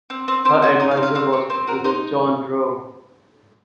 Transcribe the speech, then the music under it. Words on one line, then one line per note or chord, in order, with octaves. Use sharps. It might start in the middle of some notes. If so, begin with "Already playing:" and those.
Her advisor was Professor John Rowe.
C4
C4
C4 C5
F#4 C#5
D#4 D#5
F5
C4
F5
C4 F5
C4 C#5
C4 C5
F#4 A#4
D#4 C5